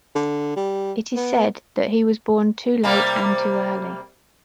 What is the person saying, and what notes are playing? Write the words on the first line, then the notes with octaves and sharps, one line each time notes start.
It is said, that he was born too late and too early.
D3
G3
B3
C3 G3 A#3